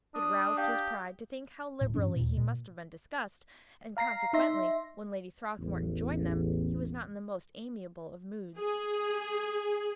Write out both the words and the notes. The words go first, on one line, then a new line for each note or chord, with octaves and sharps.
It roused his pride to think how liberally he must have been discussed, and, consequently, when Lady Throckmorton joined them, he was not in the most amiable of moods.
D4 D#6
G4 F5 G5 D#6
D1 A2
G2 E3 C#4 D4
D#2 A#2
A#2
F5 A#5 A#6 C7
D#4 E5 C6 A#6
A1 E2
G#4